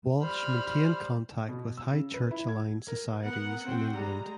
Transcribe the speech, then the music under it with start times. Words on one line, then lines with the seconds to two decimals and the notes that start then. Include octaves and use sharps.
Walsh maintained contact with high church aligned societies in England.
0.22 G3 C5 B5 F6
1.49 B2
1.77 E6
1.93 C#3
2.14 B4
2.31 E4
2.49 G#6
2.88 A#4
3.23 B3 A#4 F#5
3.65 C4 C#4 F#5 G5
3.95 G3 G#3 A#5